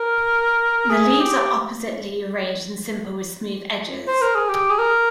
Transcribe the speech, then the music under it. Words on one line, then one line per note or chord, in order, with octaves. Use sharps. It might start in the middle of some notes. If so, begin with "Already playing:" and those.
The leaves are oppositely arranged and simple with smooth edges.
Already playing: A#4
G#4
G4
C5
A#4
G#4
G4
G#4
A#4